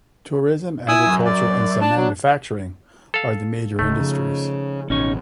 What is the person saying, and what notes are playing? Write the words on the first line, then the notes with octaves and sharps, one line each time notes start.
Tourism, agriculture and some manufacturing are the major industries.
E4 G#5 D#6 E6
F#2
D5
D4 A5
F#3
A4 F5
D1 C#3 A3 D#4
C#3 F3
A1 B2 C#4 D#4 C#5